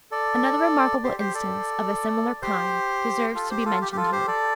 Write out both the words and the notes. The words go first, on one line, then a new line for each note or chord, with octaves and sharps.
Another remarkable instance of a similar kind deserves to be mentioned here.
A4 D5
G4 C5
G4 C5
A4 D5
G4 C5
F4 A4
G4 C5
F4 A4
G4
G4
F4 A4
G4 C5
A4 D5